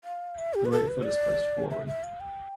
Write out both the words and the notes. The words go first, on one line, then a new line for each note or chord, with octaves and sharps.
The right foot is placed forward.
F5
E5
G4
B4
A4
B4
D5
E5
E5
F5
G5